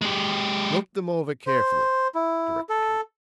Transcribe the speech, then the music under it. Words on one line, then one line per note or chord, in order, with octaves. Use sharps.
"Look them over carefully," directed he.
G#3 G4
C5
E4
A4